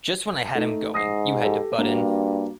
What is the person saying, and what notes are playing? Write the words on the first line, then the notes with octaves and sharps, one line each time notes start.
Just when I had him going, you had to butt in!
A3 D#4
G#2 D#6 A#6 C7
G4 A4
G2 A#3 D4 F#4